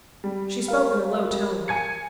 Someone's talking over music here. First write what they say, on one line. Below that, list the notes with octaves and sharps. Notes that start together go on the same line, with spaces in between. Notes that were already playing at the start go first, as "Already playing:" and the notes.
She spoke in a low tone.
G3
A#4 F5
G3
G#5 G#6 C#7